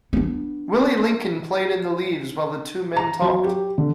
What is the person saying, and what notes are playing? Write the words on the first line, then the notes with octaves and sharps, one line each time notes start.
Willie Lincoln played in the leaves while the two men talked.
B3 D4
A#5
F#3
G4
D3